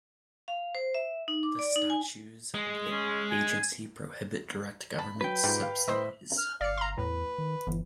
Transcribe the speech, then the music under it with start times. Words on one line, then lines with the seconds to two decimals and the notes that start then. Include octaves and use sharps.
The statutes of the agency prohibit direct government subsidies.
0.48 F5
0.75 C5
0.94 E5
1.28 D#4
1.43 D6
1.59 D5
1.76 D#4
1.90 G#5
2.54 G#3
2.91 C#4
3.31 G#5
4.99 A5 B5
5.21 F#3 B4 G5
5.44 G#2 G3 A#3 F4
5.63 F5
5.88 A2 C5 D#5 E5
6.38 F6
6.61 G1 D5 F5 C#7
6.78 A#5 C6
6.98 E2 A2 B4
7.38 D#3
7.67 G1 E3